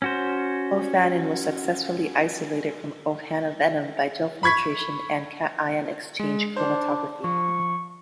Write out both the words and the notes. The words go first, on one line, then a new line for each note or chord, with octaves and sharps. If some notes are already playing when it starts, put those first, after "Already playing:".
Ophanin was successfully isolated from "O. Hannah" venom by gel filtration and cation-exchange chromatography.
C#4 F#4 C5
B5 C#6 G#6 B6
G#3
D4 C5
F3 C#6